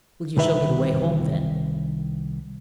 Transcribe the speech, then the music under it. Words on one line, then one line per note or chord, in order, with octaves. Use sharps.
"Will you show me the way home, then?"
C2 D#3 B4 E5